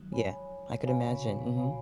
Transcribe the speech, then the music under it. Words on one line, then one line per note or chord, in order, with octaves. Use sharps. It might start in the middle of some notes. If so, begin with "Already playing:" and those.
Yeah, I could imagine. Mhm.
Already playing: D#3 F3 F#3 G#3
C#5 G#5 B5
F#4 C#5 F5 G#5 B5
B2
A#2 C#3
A#2
B2 F#4 C#5 F5 G#5 B5